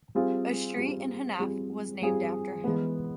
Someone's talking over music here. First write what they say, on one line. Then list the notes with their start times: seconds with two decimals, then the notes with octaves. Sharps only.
A street in Hennef was named after him.
0.15 G3 C4 F4 G#4
0.77 G3 C4 F4 G#4
1.39 G3 C4 F4 G#4
2.02 G3 C4 F4 G#4
2.64 E3 G#3 B3